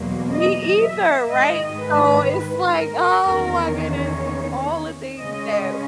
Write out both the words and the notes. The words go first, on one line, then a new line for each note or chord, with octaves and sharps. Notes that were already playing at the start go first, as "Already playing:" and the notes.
Me either, right? So it's, like, "Oh my goodness, all the things that"
Already playing: E2 B2 F#3 A#3
D#5
E5
G#2 D#3 G#3 D#5
B4
A#4
E2 D#3 A#3 C#4 A#4
C#5
C#3 G#3 C#4 D#5